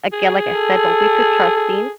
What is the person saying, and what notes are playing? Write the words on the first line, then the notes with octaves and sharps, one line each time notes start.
again, like I said, don't be too trusting,
G#4
A4
G#4